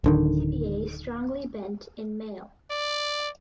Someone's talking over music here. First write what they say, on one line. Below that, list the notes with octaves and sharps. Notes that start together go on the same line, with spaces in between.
Tibiae strongly bent in male.
D1 D3 D#3
D5